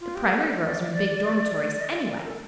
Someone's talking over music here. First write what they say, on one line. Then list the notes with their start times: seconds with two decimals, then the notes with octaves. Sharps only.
The primary girls are in big dormitories, anyway.
0.01 F4
0.15 G4
0.31 A4
0.46 D5
1.81 D#5
1.96 D5
2.11 A#4
2.26 A4